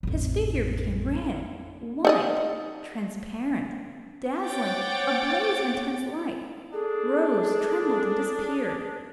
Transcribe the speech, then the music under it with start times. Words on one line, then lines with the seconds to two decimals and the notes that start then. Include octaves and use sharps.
His figure became red, white, transparent, dazzling--a blaze of intense light--rose, trembled, and disappeared.
0.03 A1 F2
2.05 D#4 D5 D#5
4.45 C5 C#5 F#5 G5 D6 A6
6.73 D4 G#4 A4